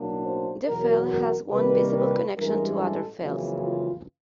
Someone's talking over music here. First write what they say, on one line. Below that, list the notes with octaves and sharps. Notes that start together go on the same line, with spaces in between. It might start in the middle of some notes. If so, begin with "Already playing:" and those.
The fell has one visible connection to other fells.
Already playing: B1 A2 F#3 A#3 D4
C5
E2 B2 F#3 B3 A#4
A#4
C2 C3 D#3 G3 A#3 B4
B4
A1 G2 E3 G#3 A#4
A4
F#1 F2 C#3 E3
F4